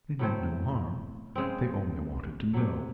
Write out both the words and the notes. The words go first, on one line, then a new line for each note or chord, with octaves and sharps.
They meant no harm they only wanted to know.
A2 F#3 A3 C4
C#3 G#3 C4
C3 F#3 A3